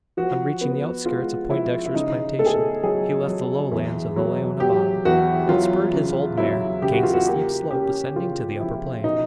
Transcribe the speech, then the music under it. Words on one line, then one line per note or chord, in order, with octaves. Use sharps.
On reaching the outskirts of Poindexter's plantation, he left the low lands of the Leona bottom, and spurred his old mare 'gainst the steep slope ascending to the upper plain.
F3 F#4
B3
G#3 F4
F3 E4
E4
C#3 D#4
A3 A4
G#4
A4
F#3 G#4
F#3
E2
F#3
F#3 G4
E2 F#4
F#3 F4
C#3
F#3 E4
C#3 G4
F#4
F4
F#4
A#3 G4
C#4 G4
C#3 F4
F3 E4
B2 D#4